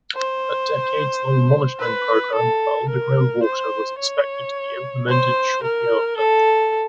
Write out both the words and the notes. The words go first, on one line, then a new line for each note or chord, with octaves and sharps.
A decades-long monitoring program for underground water was expected to be implemented shortly after.
C5
B4
A4
A#4
C5
C#5
C5
A#4
A4